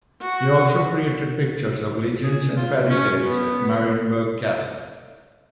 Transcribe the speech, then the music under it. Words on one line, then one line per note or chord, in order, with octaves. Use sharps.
He also created pictures of legends and fairy tales at Marienburg Castle.
F#4
G#4
F4
C#4
B3